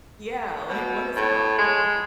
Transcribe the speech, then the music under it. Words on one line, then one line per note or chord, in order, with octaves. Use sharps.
Yeah, like, "What is wrong with you?"
B2
A2
G#3